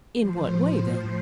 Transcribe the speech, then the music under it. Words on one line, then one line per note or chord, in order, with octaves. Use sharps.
"In what way then?"
F3 C5
A2